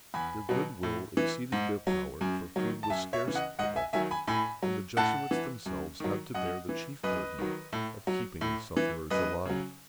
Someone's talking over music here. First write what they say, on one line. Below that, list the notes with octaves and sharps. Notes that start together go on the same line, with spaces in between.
Their good will exceeded their power; for food was scarce at Quebec, and the Jesuits themselves had to bear the chief burden of keeping the sufferers alive.
E2 G#5 B5
B2 F#3
A2
E3
G#2
F#3
F#2
D#3 F#3
A5
F#2 E5 G#5
C#5 E5
C#3 E3
D#5 F#5
G#2 D#5 F#5
E5 G#5
D#3 F#3 E5 G#5
G#5 B5
A2 G#5 B5
F#3
A2 F#5 A5
E3
F#2
D#3 F#3
F#2 D#5 F#5
E3
F#2 B4 D#5
D#3 F#3
A2
F#3
A2
E3
F#2 B4 D#5
C#3 F#3